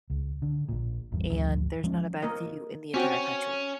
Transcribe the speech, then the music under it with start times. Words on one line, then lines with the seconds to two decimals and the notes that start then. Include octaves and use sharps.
and there's not a bad view in the entire country.
0.10 C#2
0.42 D3
0.69 A#1 A#2
1.12 G#1 E2 G2
1.30 A1 D2 G2 F3
1.84 F3 G#3 C#4
2.22 A#3 A#4 D#5
2.94 C4 C#4 F#4 G5